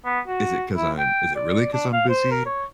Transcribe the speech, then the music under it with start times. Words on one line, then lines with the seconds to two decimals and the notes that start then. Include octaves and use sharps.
is it 'cause I'm is it really 'cause I'm busy,
0.05 B3
0.27 F#4
0.77 E4
0.99 G5
1.36 D5
1.73 D4
1.93 F5
2.09 C5
2.31 A#4
2.46 C#5